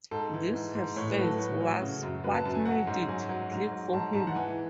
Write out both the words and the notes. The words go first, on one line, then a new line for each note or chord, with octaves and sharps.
This, he says, was what made it "click" for him.
G#2 A4
E3
G#2
G#2
A2 C#5
B4
F#3 A4
A2 B4
F#3
C#3
F#2
F#2 B4
A5
F#2 A5
G#5
F#3 F#5
G#2
F#3 G#5
F#3
G#2
F#3
G#2 A5
G#2 A5
F#5
E3 G#5